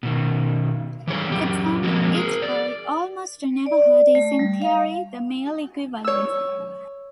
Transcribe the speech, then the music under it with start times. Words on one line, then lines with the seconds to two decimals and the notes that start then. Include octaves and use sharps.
The term "It boy", almost never heard, is in theory the male equivalent.
0.03 B2 D#3
1.07 E3 G3 G#4 C#5
1.32 F#2 A#2 F#3 G4
1.83 F3 F#3 G#3 A#3 C4
2.14 G#4 A#4
2.42 D5
3.66 D5
4.15 A3
4.39 G3
4.62 F5
6.04 C#5 E6